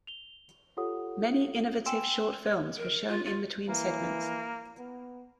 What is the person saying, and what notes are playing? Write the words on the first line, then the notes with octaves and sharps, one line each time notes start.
Many innovative short films were shown in between segments.
F7 G7
F4 G4 A4 C#5 F#5 D#6
G5 G#5 C6 E6 D7 E7
A#4
F4
F4
E3 A#3
B3